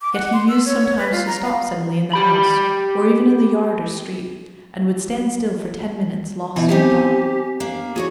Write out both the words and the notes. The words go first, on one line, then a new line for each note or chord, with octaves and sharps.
Yet he used sometimes to stop suddenly in the house, or even in the yard or street, and would stand still for ten minutes, lost in thought.
D6
F#5
C6
E6
C#5
B4
F4
A#5
F5
G4 B5
B2 D#3 E3
C4 D#4 G4 G#5
A#3 D4
F#4 G#4 A4 C#5